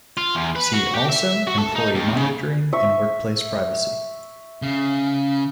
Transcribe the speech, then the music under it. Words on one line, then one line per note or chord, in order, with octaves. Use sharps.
"See also Employee monitoring and Workplace privacy".
F4
E2
B4
F#4
G4
E5
F#4
A4
D#4
D#2
C#3
E5 C#6
C#3